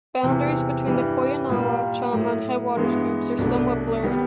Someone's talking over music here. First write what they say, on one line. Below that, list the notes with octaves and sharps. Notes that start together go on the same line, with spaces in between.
Boundaries between the Poyanawa, Chama, and Headwaters groups are somewhat blurred.
E2 C3 E3
G2 E3 G3
A#2 G3 A#3
A2 F#3 A3
G2 E3 G#3 B3
C2 B2 F#3 A3 D4
D#3 G3 B3